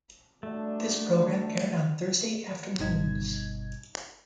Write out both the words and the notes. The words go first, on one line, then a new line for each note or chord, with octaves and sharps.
This program aired on Thursday afternoons.
F#3 G3 A3 D4
G1 B2 G3 D#4 G#6